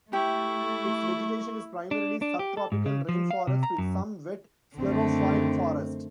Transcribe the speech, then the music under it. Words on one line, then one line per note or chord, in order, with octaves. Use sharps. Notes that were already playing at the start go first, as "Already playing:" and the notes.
Its vegetation is primarily sub-tropical rain forest with some wet sclerophyll forest.
A3 E4 G4 C#6
D4
D4
G4
A4
G#2
C#3
F3
F5
C3
A#5
F#2
F#2 D3 D#3 A3 C4